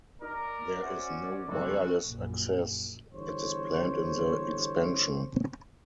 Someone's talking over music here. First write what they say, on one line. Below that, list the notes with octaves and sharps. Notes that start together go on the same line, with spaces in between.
There is no wireless access; it is planned in the expansion.
D#4 A#4 D5
C#4 F#4 C5 E5 F#5
F#1 F2 G#3 F#4 A4
A#1 F#2
G1 E2 C5 C#5